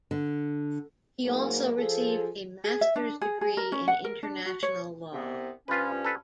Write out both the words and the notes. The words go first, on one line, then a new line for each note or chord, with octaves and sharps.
He also received a master's degree in international law.
D3
G#2 F#3 A#3
F3 G#4 A4
G#4
E5
D4
G#4
G#4
A#4
C#4
F#5
A#4
D4
F#4
C#5
C2 C3 B3
G2 F3 C#4 F4 B4
A4 B4